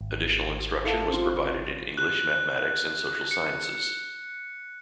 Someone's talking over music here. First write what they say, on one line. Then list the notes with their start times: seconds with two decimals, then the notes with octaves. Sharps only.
Additional instruction was provided in English, mathematics, and social sciences.
0.01 G#1
0.85 E4 A4 F5
1.09 C4 F4
1.97 F#6
3.31 C#7